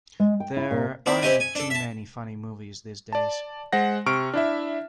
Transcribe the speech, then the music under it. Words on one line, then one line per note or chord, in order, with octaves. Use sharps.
There aren't too many funny movies these days.
G#3
G5
E4
A#2
C4 E4 D5 E5
C4 E4 G4 D#5 G#5
G#5
D4 A4
E5 A5
D5 A5
G#3 C5 F#5 A#6
C3 C#6 F6 D7
D4 E4 E5